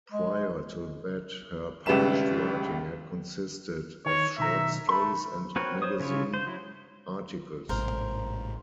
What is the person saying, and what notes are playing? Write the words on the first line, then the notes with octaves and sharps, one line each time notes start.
Prior to that her published writing had consisted of short stories and magazine articles.
G#3
G#1 C#2 G3 B4 E5 E7
D#3 C#5
B1 D#3 E5 A#5
A3 B5 C6
C4 F#4 A#4 B4 C#5
C5 C#5 D#6
C#3 E4 F4 C#5
C5
F#3 E4
A1 G#2 C3 A#4 C5